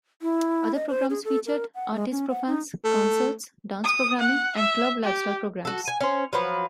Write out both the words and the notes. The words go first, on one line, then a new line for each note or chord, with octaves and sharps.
Other programs featured artist profiles, concerts, dance programming, and club lifestyle programs.
E4
D#5
C5
G#4
A4
A#4
F#5
G#3
C#4
F#5
D#4
A3
D#6
F#5
E5
G4
F#4 A4
G#5
C#4 C5
F3 F#3 B4